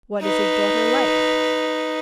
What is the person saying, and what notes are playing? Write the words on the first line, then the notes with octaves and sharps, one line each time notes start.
"What is his daughter like?"
D#4 B4